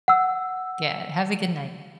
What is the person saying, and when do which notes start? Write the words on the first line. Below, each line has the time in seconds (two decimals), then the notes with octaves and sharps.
Yeah, have a good night.
0.08 F#5 E6